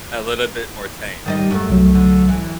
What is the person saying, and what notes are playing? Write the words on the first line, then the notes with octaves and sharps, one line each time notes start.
a little bit more tame.
D#3 G3 D#5
F#2 A3
C2 F#3
D3
E3